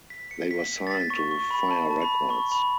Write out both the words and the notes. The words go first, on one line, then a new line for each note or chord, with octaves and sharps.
They were signed to Fire Records.
B6
C#7
B6
A6
B6
C#6
C#6
B5
A5
A5
B5
C#6
B5